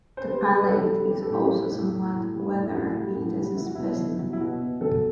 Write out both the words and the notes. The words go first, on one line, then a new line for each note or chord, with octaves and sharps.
The palate is also somewhat weathered in this specimen.
C5
G3 B4
G3
B4
G3 A4
G3
G3 G4
A4
A2 G4
G3
A2
A2
A2
G3
A2
E4
A2 F#4
G3
A2
G3
F#3 E4
F#4
B2 E4
F#3
F#3
E4
B2 F#4
B2
F#3 A4